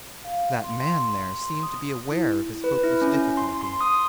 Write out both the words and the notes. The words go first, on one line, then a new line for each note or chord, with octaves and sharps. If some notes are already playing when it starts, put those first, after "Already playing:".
That man there seemed to be aware of his hopeless difficulty.
F5
C6
D#6
E4
B4
E4
C#4
C6
C6
D#6